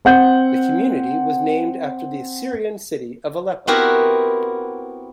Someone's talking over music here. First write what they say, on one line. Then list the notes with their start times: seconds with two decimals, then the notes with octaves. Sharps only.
The community was named after the Syrian city of Aleppo.
0.05 C4 F#5 G6
3.67 B3 C4 E4 F#4 G4 A#4